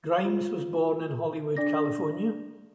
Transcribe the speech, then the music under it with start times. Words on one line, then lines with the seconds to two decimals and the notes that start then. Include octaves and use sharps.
Grimes was born in Hollywood, California.
0.25 F4
1.57 D4 A4 D5 D6 A#6